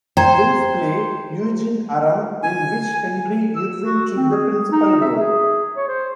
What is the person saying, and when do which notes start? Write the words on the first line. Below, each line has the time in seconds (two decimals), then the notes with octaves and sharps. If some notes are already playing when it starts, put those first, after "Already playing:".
Wills's play "Eugene Aram", in which Henry Irving took the principal role.
0.17 C5 G5 A#5 G#6
2.43 G#5
3.56 E6
3.82 F#4
4.17 C4
4.30 G#4
4.72 D#4
5.01 E5
5.18 G#4
5.76 C#5
5.88 C5